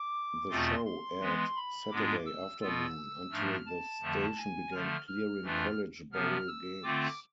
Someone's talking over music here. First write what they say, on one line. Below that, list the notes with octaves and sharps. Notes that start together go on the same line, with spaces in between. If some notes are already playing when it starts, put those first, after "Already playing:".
The show aired Saturday afternoon until the station began clearing college bowl games.
Already playing: D6
E2 B2 A3 C4 F4 C6
C6
E3 G#3 B3
B5
G#2 G#3 B3 D4 F4 D6
E6
B2 B3 F4 E6
G#2 F3 A3 D4 F6
A5
F2 D3 F3 A3
G#5
D3 F3 A3 F6
F6
F2 E3 A3 D4 F4
C3 F3 B3 F6
E6
D3 A3 C4 F4 D6